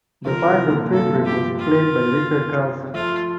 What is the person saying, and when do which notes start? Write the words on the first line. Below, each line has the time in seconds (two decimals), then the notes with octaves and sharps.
The part of Philbrick was played by Richard Carlson.
0.25 D3 F3 A#4
0.47 C3 E3
0.62 E3
0.70 A#2 D3
0.92 G2 A#2 A4
1.15 F3 A3
1.25 G4
1.59 F4
2.94 F3 A3 F4